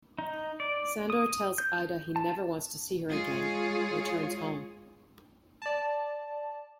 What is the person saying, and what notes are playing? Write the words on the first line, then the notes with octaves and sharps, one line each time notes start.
Sandor tells Ida he never wants to see her again, and returns home.
D#4
D5
D#6
G6
A5
G#3 F4 G#4 C#5
D5 A5